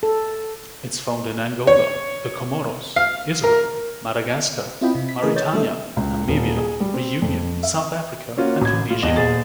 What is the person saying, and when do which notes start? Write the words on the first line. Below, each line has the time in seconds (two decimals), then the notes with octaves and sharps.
It’s found in Angola, the Comoros, Israel, Madagascar, Mauritania, Namibia, Reunion, South Africa and Tunisia.
0.03 A4
1.67 C#5
2.96 F5
3.44 A#4
4.81 C4 E4 F4 D#5 G5 B5
4.95 C3
5.09 B6
5.22 E3 A3 G#4 A#4 B4 D#5
5.35 C#5 D#5 G6 A6
5.53 F3 G3 A3 D4 A4 E5
5.97 C#2
6.28 D#1
6.57 G#4
6.80 G3
6.94 C4
7.22 F2
7.63 E5
8.37 A#3 C#4 F4 F#4
8.62 A1 G#6
8.90 A2 F4
9.02 E2 D#5 E7
9.16 D#1 G#4 A6